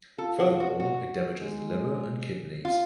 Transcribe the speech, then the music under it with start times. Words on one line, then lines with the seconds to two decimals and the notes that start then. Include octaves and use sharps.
Furthermore it damages liver and kidneys.
0.18 F4 A4
0.40 F#4
0.60 F#4
0.80 F#4
1.41 G#3
2.65 F4